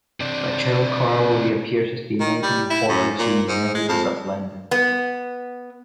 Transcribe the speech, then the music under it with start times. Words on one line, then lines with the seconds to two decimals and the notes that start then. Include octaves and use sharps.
Lachele Carl reappears as the American reporter seen in "Aliens of London".
0.20 C3 D4
2.21 D#3
2.43 G3
2.70 E4
2.89 F#2
3.19 A#2
3.48 G#2
3.75 G#3
3.88 F2
4.71 B3